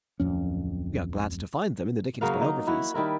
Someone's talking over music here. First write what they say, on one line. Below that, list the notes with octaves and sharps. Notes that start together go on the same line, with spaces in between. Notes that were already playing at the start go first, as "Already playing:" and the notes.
We are glad to find them in the Dickens biographies.
D1 F2 C#4
C#3 F#3 A#3 F5
D#4
E4 F#4 C#5
D#3 G3 E4 A#4